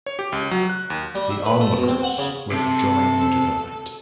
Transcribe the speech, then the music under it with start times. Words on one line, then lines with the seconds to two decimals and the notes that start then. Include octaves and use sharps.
The onlookers would join into the fight.
0.06 C#5
0.19 G4
0.32 C#2
0.51 F#3
0.69 F#6
0.90 D#2
1.15 G3
1.30 E5
1.46 B4
1.61 A3
1.77 B2
1.88 C4
2.03 F#5
2.18 C#3
2.52 C3 A4